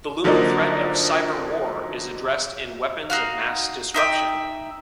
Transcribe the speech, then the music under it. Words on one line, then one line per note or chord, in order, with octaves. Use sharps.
The looming threat of Cyber War is addressed in Weapons of Mass Disruption.
D3 F3 F#3 A#3 D4 D#4
D#4 F#4 F5
D#4 E5 G5